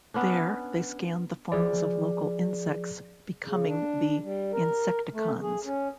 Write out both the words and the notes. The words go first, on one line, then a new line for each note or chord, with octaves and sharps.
There, they scanned the forms of local insects, becoming the Insecticons.
B3 C#4 D4
F3 G#4 D5
C#3
D4
G3
A#4
A3
G#4
C#4